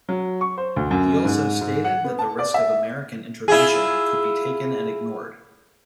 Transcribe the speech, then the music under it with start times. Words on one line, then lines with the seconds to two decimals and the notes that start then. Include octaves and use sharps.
He also stated that the risk of American intervention could be taken and ignored.
0.09 F#3
0.41 C#6
0.58 C5
0.76 D2
0.91 F#2
1.25 G#2
1.61 G#2
1.84 F#5
2.04 B3
2.19 A5
2.39 D5
2.54 E5
3.48 E4 F4 G#4